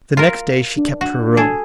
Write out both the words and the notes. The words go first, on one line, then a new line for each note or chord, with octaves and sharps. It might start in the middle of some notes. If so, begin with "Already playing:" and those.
The next day she kept her room.
F4 A#4
D4
F#4
G#4 A4